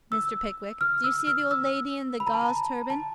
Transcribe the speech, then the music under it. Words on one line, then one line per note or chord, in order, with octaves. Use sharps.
Mr. Pickwick, do you see the old lady in the gauze turban?'
E6
F6
E6
F6
E6
B5
A#5
A5
A#5
A5